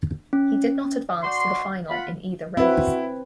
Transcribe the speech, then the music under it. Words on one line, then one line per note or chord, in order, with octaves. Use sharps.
He did not advance to the final in either race.
C#4
F#4 D5 C6
F4 F#5 B5
C4 E4 F#4 B4